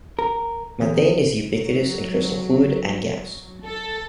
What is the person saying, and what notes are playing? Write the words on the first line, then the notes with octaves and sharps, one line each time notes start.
Methane is ubiquitous in crustal fluid and gas.
A#4
E2
F#3
A4